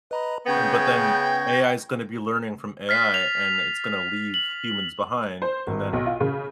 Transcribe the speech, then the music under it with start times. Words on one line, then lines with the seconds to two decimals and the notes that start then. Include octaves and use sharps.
And but then AI is gonna be learning from AI and it's gonna leave humans behind. And then,
0.11 B4 D#5 A#5 B5
0.46 C#3 B3 G5 C#6 G6 G#6 A#6
2.89 F6 A6 B6 C7
3.14 F7
4.34 F#7
5.42 C5
5.67 G#1
5.93 B1
6.06 F4
6.20 C#3